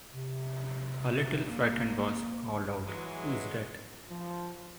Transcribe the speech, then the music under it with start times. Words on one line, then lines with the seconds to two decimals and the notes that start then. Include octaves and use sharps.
A little frightened voice called out "Who's that?"
0.12 C3
1.46 A#3
2.87 E3 F#3 G#3
4.10 F3